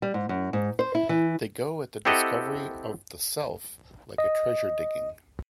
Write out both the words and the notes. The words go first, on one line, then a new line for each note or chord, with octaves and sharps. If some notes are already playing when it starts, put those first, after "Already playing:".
They go at the discovery of the self like a treasure-digging.
G3
G#2
F#2
G#2
C5
E4
E3
C4 E4 G4 A4 D#5 F#5
D#5